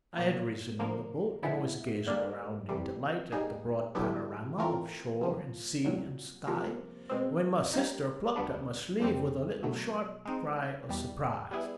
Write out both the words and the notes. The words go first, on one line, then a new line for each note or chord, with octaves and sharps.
I had risen in the boat, and was gazing round in delight at the broad panorama of shore and sea and sky, when my sister plucked at my sleeve with a little, sharp cry of surprise.
A#2 F#3 A#3
D3 F3 A#3
A#2 F3 G#3 B3 E4
D3 G3 A#3 D4
C2 C3 E3 G3
G3 A#3 D#4 G#4
D3 F#3 B3 E4 G4
E3 A3 C4 F4 A#4
C2 A#2 F3
C2 A#2 F#3
C2 C3 F3 A#3
B2 G#3 C4
G3 A#3 D#4
D2 D3 G3 B3 D4
F2 D3 G3 C4
B2 F#3 A3
G#3 C4 D#4
E2 B2 G3
G3 B3 E4 G#4